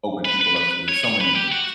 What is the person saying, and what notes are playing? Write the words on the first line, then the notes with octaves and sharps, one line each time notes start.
open people up to so many things.
B4
B4
B4
C#5
C#5
B4
G4
F#4